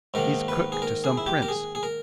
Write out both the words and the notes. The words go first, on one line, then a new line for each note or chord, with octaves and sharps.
"He's cook to some prince."
G#2 D#3 A#3 A#4
B4
G#4
A#4
G#4
E4
G4
A#4
G#4
G#4
A#4